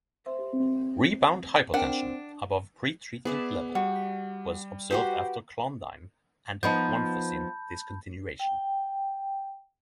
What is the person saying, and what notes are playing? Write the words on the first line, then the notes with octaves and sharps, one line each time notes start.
Rebound hypertension, above pre-treatment level, was observed after clonidine, and guanfacine discontinuation.
C4 D4 A#4 F#5 G5
B3 G#4 D5 E5
G3 F#4
F#4 G4 B4 C5
F3 B3 D#4 A5 B5 G6
G5